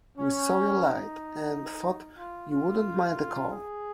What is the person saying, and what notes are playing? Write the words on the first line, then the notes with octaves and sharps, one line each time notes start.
We saw your light, and thought you wouldn't mind a call.
C#4
D#4
F4
F4
G#4